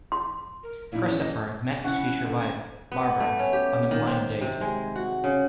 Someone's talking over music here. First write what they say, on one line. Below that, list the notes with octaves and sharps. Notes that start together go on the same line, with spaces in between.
Christopher met his future wife, Barbara, on a blind date.
C6
A#4
A#2 F3 D#4 E4
E2 C#4
D#5
C#4 E4 F#5
D3
G#6
B3
A3
C#4
G4
D#3
C4
C3
G#3
F#4
C#3